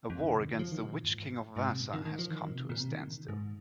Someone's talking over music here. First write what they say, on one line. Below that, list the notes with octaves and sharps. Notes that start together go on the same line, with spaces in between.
A war against the Witch-King of Vaasa has come to a standstill.
F2
D#3
C3
D#3
F3
D#3
A#2
F2
G#2
G#2
C3
A#2
D#3
D#3
F3
D#3
A#2
C3
A#2
C3
D#3
A#2
G#2